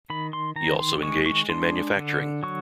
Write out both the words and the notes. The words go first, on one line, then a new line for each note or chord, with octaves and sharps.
He also engaged in manufacturing.
D#3 B5
C6
D#3 A#5
C6
G#3 C#6
C#6
D4 C6
D3
F#3 C#6